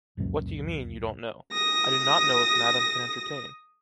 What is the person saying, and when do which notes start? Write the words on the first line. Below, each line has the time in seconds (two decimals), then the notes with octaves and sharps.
What do you mean, you don’t know? I do not know if madam can entertain.
0.17 F1 C#2 F#2 A#2
1.52 D#6 A#6